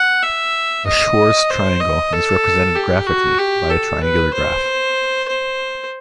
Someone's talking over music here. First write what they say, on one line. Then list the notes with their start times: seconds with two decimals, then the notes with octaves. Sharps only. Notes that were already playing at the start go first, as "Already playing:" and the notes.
A Schwarz triangle is represented graphically by a triangular graph.
Already playing: F#5
0.23 E5
0.86 D#5
1.50 C5
1.80 D#5
2.12 A4
2.75 G4
3.06 F#4
3.38 G4
3.70 A4
4.01 B4
4.33 C5
5.28 C5